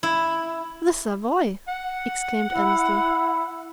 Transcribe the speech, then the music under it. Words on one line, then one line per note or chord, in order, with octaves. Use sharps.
"The Savoy!" exclaimed Annesley.
E4
F#5
E4